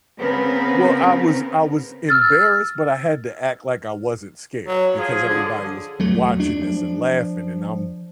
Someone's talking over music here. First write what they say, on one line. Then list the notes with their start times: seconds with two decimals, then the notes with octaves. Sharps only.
Well, I was I was embarrassed, but I had to act like I wasn't scared because everybody was watching this, and laughing, and I'm
0.18 C#3 B3 C4 A#4 B4
2.09 E6 F6 A6
4.67 F#3
4.98 F3 G#4
5.29 D3
6.00 E2 F#3 A3
6.40 D4
6.62 F3